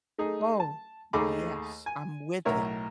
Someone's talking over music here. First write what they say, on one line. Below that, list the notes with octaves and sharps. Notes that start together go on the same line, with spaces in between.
Oh, yes, I'm with ya.
A3 D#4 G#4
A5
D#2 A3 D#4 G#4 B5 D6
G#5
B1 A2 A#4 C#5 E5